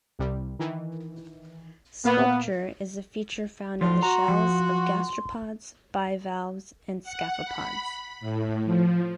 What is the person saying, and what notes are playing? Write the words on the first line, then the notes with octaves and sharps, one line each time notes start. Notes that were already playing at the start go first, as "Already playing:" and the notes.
Sculpture is a feature found in the shells of gastropods, bivalves, and scaphopods.
C2 C3 G3
D#3 E3
A#2 A#3 B3 F5
A2 D3 F3 F4 C6
F#4 A#5
F3
F#5
B5
A2
F3